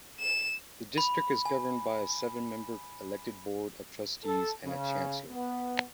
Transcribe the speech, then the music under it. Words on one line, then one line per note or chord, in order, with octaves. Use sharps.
The District is governed by a seven-member elected Board of Trustees and a Chancellor.
E7
B5
G#5
A4
C#3
B3